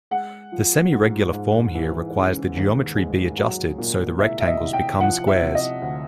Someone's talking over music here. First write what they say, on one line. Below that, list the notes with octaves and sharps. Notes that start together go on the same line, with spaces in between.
The semiregular form here requires the geometry be adjusted so the rectangles become squares.
G#3 F#5
F3
G#2
G#2
E3
C#3
D#2
G#3
F#3
A#2
C2 E5
E5
D#5
C2
G5
F3 F#5
E5
C3
D#5
D2